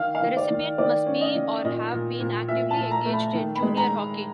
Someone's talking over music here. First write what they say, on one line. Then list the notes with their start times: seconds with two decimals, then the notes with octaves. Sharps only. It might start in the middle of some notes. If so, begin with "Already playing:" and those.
The recipient must be or have been actively engaged in junior hockey.
Already playing: D#3 F5
0.15 F5
0.22 D#3
0.37 D5
0.51 D#3
0.78 D#3 D5
1.06 C#4
1.21 D#5
1.35 D#3
1.64 A#2 D#5
1.93 A#2
2.20 A#2
2.49 A#2 E5
2.71 A5
2.77 A#2
2.91 A#5
3.06 A3
3.13 B5
3.34 D#3
3.56 B5
3.63 G#3
3.77 A#5